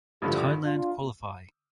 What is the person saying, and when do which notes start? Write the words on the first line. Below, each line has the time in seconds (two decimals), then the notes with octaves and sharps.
Thailand qualify.
0.22 A1 G2 D3 F3 E4 G4
0.63 D4 F4